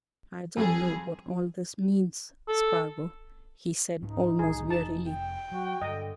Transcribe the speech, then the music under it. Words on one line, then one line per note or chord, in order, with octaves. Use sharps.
"I don't know what all this means, Spargo," he said, almost wearily.
F2 G3 G#4 A4
A4
G#2 C#4 D#4
C2 A2 G3 G#4
F1 A5
G5
F#3 F#4
G2 D3 D#5